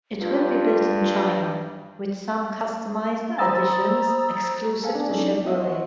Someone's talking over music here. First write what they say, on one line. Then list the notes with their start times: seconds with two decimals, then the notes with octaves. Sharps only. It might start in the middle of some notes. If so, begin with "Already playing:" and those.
It will be built in China, with some customized additions exclusive to Chevrolet.
0.20 G2 F4
3.38 C5 A#5 B5 D#6 E6 A6
4.83 G#4 A4 F5 G#5 A5
4.95 B3 D4 G#5
5.10 F#3 G#3 C#4 D#4 A4 D5
5.45 B3 E4 F#4 D#5 E5
5.60 C5 C#5 D#5 F#5